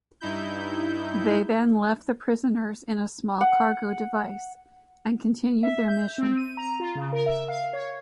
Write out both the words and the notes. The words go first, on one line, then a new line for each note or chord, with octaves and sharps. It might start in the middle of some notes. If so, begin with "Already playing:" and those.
They then left the prisoners in a small cargo device and continued their mission.
G2 D#4 E4 G6
F#5
E5
G6
C4
D#7
A#5
F4
C#3
A#4
E5
F5
C#5